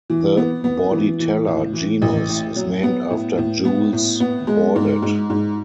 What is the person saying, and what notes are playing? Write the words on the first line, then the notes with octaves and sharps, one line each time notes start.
The "Bordetella" genus is named after Jules Bordet.
E3
B3
B3
E3
E3
A2
E3
A1
A2
F#3
B3
A2
A2
B3
A2
B3
G#3
G#2
G#2
G#2